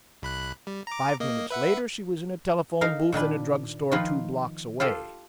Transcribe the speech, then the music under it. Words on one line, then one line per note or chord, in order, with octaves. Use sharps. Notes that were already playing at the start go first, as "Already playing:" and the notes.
Five minutes later she was in a telephone-booth in a drug-store two blocks away.
C2 B5 F#6
G3
A#5 D6
A#3 D#5
B4 E5 F#5
D#4 A#4 F5
A#2 D#3 D4 B4
D#3 F3 D#4 F4 B4
F4 G4 A4